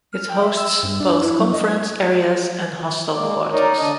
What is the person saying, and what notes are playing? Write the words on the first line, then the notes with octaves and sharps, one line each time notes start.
It hosts both conference areas and hostel quarters.
F6
G5
E5
E6
G2
D4
E4
F#3
D#5
G#6
G#3 A#3 D5
F#4
D#4 A#4 C#5 D5
D3 D4 D#5